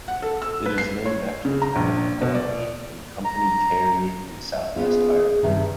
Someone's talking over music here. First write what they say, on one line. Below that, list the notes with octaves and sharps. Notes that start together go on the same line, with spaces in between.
It is named after the town of Killarney in Company Kerry in southwest Ireland.
F#5
A4
E6
B4
C7
C#5
C#3
A#5
A#1
B2
D5
A#5
B3 C#4 F4 G#4
G2 C3 D#3 E5